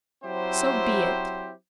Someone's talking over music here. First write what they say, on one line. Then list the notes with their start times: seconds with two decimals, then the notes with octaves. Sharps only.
So be it!
0.23 F#3 C4 E4 G4 C5